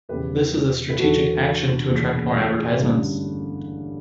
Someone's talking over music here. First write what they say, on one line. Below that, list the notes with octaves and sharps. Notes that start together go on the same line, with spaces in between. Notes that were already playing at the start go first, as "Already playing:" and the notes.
This is a strategic action to attract more advertisements.
E1 E2 C#3 G4 B4
B4
E1 E2 D3 F#4 A4
F#1 E2 B2
A1 G2 D3